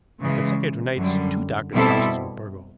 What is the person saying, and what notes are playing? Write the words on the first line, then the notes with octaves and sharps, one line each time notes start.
On consecutive nights two doctors' houses were burgled.
C#3 E3 G#3
F#2 D3 G3
B2 G3 C4 E4 A4